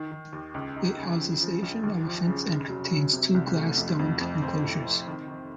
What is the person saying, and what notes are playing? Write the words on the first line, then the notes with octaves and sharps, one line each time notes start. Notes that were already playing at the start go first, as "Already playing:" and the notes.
It houses Asian elephants and contains two glass-domed enclosures.
Already playing: D#3
D#3
D#2
C#2
D#4
C#3
F3
F3
A#1
D#2
F3
C#3
F1
F#3
F#3
C3
C2
A3
F2
F2
F2
C4
A2
C4
D#3
D#3